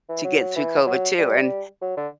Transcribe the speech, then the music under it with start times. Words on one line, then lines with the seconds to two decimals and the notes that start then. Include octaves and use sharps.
to get through COVID, too, and
0.09 E3
0.24 F#3
0.40 F#3
0.56 E3
0.87 F#3
1.19 G3
1.82 F#3
1.97 D3